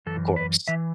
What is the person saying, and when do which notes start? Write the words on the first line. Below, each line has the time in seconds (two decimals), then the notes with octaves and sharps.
Of course.
0.06 F#2 E3 A4
0.36 B4
0.68 E3 E5